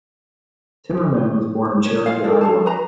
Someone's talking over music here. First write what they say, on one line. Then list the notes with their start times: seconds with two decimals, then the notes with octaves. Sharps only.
Timmerman was born in Cherokee, Iowa.
1.85 C#5
2.06 F4 F5
2.24 A4 A#4
2.41 A4 F5 A5
2.66 B4 A#5